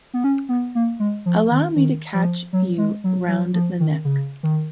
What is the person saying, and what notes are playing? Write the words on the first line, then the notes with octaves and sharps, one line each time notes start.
Allow me to catch you round the neck.
B3
C#4
B3
A#3
G#3
F3
D#3
D#3
F3
F#3
G#3
F#3
F#3
F3
D#3
C#3
D#3